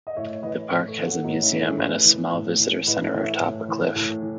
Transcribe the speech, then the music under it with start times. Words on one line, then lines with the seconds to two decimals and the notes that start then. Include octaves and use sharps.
The park has a museum and a small visitor center atop a cliff.
0.07 D#5
0.15 A2 C#5 E5
0.33 C#5
0.42 E3 B4 D#5
0.70 A2
0.88 A4 C#5
0.98 E3
1.06 F#4 A4
1.24 A2 D#4 F#4
1.42 C#4 E4
1.51 E3 A4
1.60 E4 G#4
1.78 A2 G#4 B4
2.05 E3
2.33 A2
2.60 E3
2.87 A2 B4 D#5
3.04 A4 C#5
3.15 E3
3.22 C#5 E5
3.41 A2
3.68 E3
3.96 A2
4.22 E3